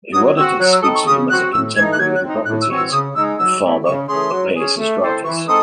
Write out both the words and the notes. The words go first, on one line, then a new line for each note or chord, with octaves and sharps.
Herodotus speaks of him as contemporary with Hippocrates, the father of Peisistratus.
F#3 D#6
C4 F#4 E6
F#3 F#6
E6
C4 D#4 A4 D#6
C#6
C#3 D#6
F#3 C4 F#4 F#6
A2 E6
E3 A3 D#4 G#6
F#6
F#3 G#6
F#6
C4 D#4
A2 F#6
E6
E3 C4 F#4 C#5
E6
C#3 D#6
G#3 D#4 E6
F#3 E6
A3 C#4 E4
C#3 C#6
E3 A3 C#4 G#4 C6
F#3
C#4 G#4 C#5
A3
C4 E4 A4 C5
E3 C#6
G#3 C4 D#4 A4 D#6